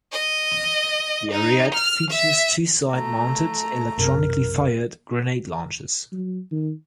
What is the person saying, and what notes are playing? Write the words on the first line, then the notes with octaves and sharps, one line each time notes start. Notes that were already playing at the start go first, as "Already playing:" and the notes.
The Ariete features two side-mounted, electronically fired grenade launchers.
D#5
D#4
F6
E5
A3 A#5
B1 F#2 C3 A#4
F#3
D#3